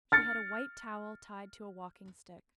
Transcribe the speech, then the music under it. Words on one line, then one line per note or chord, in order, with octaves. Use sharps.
She had a white towel tied to a walking-stick.
F6 A6 C#7